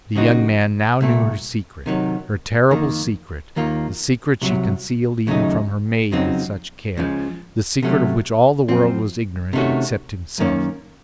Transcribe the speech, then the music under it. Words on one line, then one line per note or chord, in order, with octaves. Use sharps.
The young man now knew her secret, her terrible secret--the secret she concealed even from her maid with such care, the secret of which all the world was ignorant, except himself.
C#3 F3 C4 D#4 F#4
C2 A#2 A3
C3 D#3 F#3
F2 D#3 A#3
D#2 D#3 A#3 F4
C2 C3 F#3
D#2 C#3 F#3 A3 D#4
F2 C#3 F#3 C4 D#4
C#2 C#3 F3
C3 F#3 A3 C#4
F#2 F3 C4
C3 D#3 A3 C#4 F#4
F#2 D#3 A#3 C#4